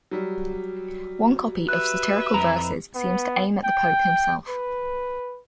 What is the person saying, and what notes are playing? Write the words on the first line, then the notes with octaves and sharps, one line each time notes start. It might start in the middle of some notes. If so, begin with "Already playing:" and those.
One copy of satirical verses seems to aim at the pope himself.
F#3 G3
B4 E5 F#6
F2 E4 A#5
B3
G5
B4